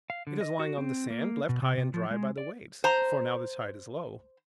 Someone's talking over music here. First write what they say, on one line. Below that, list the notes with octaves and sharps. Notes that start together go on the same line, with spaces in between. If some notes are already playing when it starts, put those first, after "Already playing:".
It is lying on the sand, left high and dry by the waves, for now the tide is low.
F5
D3
D#5
F#4
C4
A#3
B2
C3
C3
F3
G#3
D5
C5 A#5